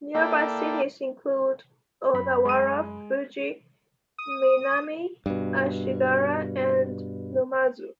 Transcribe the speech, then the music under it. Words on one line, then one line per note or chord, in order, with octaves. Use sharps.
Nearby cities include Odawara, Fuji, Minami Ashigara, and Numazu.
A#3 E4 A4 D5 G5
F#2 B5
G#3 D#7
D#6
G2 B2